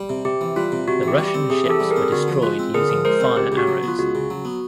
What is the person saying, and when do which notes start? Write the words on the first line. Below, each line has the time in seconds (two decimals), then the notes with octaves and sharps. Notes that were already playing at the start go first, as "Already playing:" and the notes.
The Russian ships were destroyed using fire arrows.
Already playing: G3
0.10 C3
0.25 C3 G4
0.41 E3
0.56 G3 F4
0.72 C3
0.88 C3 F#4
1.03 E3 G4
1.19 G3
1.28 G4
1.34 C4
1.50 C3 G#4
1.66 E3 G4 A4
1.80 G3
1.91 G#4 A#4
1.96 C4
2.12 D3 F#4
2.28 F3
2.42 G#3 F4
2.59 C4
2.74 D3 G#4 A#4
2.89 F3
3.05 G#3 A#4 C5
3.20 C4
3.36 C#2 G4
3.52 C#3
3.57 F#4
3.67 F#3
3.83 B3
3.88 F4
3.99 C#2 F#4
4.15 C#3
4.30 F#3
4.45 B3